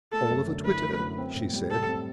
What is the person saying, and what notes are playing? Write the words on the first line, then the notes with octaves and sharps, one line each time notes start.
"All of a twitter," she said.
A3 A4
F#2
D3
E4 B4
A3
F#2
C4
A2
G3
A2 A4
C4